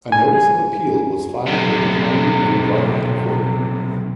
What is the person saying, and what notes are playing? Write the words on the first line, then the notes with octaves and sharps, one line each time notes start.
A notice of appeal was filed with the Planning and Environment Court.
G#5
B1 C3